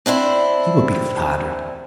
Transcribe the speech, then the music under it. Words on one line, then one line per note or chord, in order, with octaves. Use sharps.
He will be flattered.
C4 D4 E4 C5